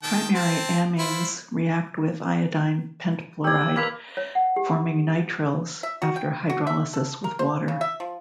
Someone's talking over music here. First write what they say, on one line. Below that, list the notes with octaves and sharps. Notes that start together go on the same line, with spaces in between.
Primary amines react with iodine pentafluoride forming nitriles after hydrolysis with water.
D#3 G5 A5
C4 C5 A5
E4 F4 C5
G4 D5 E6 G#6
A#3 B4 E6 G#6 B6 F7
C#5
F#5
G4
E5
F#4
G5
F#4
E5
A4
A#4
C5
C#3
E5
F3